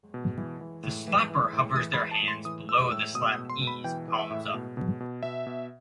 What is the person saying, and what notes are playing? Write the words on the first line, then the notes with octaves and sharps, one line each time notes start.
The slapper hovers their hands below the slappee's, palms up.
B2
E3
E3
A2
E3
E3
A2
E3 D#6
B5
E3
A5
A2
C6
E3 D#6
E3 E6
A2 E6
B2 D#6
D#6
B2
C6
B2
B5
E3 G5
E3
E5
A2
B2
B2
B2
B2 E5
B2